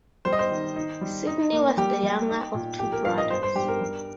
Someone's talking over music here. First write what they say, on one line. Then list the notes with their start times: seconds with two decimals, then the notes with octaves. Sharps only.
Sydney was the younger of two brothers.
0.25 G3 C5
0.33 D#5
0.39 C5
0.50 D#3
0.76 D#4
1.01 G3
1.27 D#4
1.52 A#3
1.77 G3 G4
2.03 G3
2.29 D#4
2.54 A#2
2.79 A#1 G4
2.92 A#4
3.05 F3 F5
3.18 D#5
3.30 G2 C5
3.43 C5
3.56 G2 G4
3.68 A#4
3.81 G3